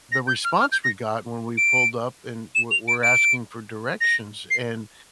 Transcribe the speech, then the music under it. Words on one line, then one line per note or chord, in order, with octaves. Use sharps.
the response we got when we pulled up and we'r we're asking for directions, and
A#6
G6
F6
F6
G6
A#6
D7
E7
F7
D7
D7
A#6
C7